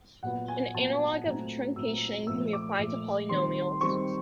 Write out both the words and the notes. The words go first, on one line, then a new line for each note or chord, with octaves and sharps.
An analogue of truncation can be applied to polynomials.
A#2 F#3 B3 F#5
G#5
A#2 F#3 B3 A5
A#2 F#3 A3 C4 A#5
A#2 F#3 A3 C4 E6
A#2 F3 A3 E6
D6
A#2 F3 A3
D#3 G3 C4 C6
D#3 G3 C4 C#6